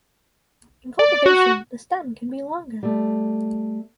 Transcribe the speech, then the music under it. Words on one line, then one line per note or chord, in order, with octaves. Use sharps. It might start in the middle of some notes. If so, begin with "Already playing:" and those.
In cultivation the stem can be longer.
D5
F#4
G3 A3